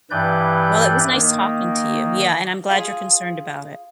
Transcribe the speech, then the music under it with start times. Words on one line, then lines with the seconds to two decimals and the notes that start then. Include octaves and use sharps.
Well, it was nice talking to you, yeah, and I'm glad you're concerned about it.
0.11 G2 E3 B4 D5 G6
1.12 D#3 A#3
2.70 F4 G#4